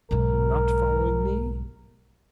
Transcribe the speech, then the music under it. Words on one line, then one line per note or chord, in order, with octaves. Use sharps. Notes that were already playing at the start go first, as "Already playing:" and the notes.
Not following me?
B1 G#2 A#4